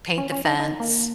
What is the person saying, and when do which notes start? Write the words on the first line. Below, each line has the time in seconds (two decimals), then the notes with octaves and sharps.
paint the fence,
0.18 C#4
0.32 C#4
0.45 D#4
0.60 D#4
0.80 A#3